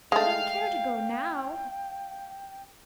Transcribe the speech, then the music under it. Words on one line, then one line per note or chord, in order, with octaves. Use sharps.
"I don't care to go now."
G#3 A3 F5 G5